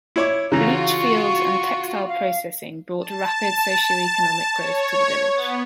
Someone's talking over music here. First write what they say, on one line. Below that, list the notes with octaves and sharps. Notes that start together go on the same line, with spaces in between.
Bleachfields and textile processing brought rapid socioeconomic growth to the village.
E4 C#5 D6
C#3 E3 F4 F#4 A#5
C#6
F5
A5
C#5
B3